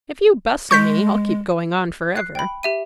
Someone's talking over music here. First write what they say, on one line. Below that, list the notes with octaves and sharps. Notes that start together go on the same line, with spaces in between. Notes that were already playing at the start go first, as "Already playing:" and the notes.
If you bustle me, I'll keep going on for ever.
G#3 C#6 G6 B6
F#6 C7
G5 B5
G4 E5 D#7